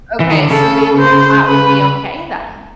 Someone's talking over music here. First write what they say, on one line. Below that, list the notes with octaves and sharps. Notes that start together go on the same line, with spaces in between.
Okay, so maybe the cat would be okay then.
E3
D#3
D3
C#3 A4
C5
B4